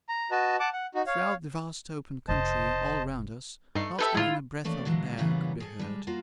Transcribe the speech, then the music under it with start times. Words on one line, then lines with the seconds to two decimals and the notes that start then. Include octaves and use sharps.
Throughout the vast open country all round us, not even a breath of air could be heard.
0.09 A#5
0.31 F#4 B4 D#5 A5
0.60 F#5 A5 D6
0.73 F#5
0.95 D#4 F#4
1.07 C#5 F5
2.28 F1 D#4 C5 D#5 A5
3.75 G2 A3 D#4 C7
3.99 G4 A4 B4 E5
4.15 A2 G#3 E4 F4
4.64 E3 A3 A#3 C#4 D5
4.85 A#2 D3 E3 F#3 G#3
5.18 F#2 A#2 C#3 E3 G3 B3
5.60 G#4 A4
5.79 G3 G#3
6.07 A#3 F4 F#4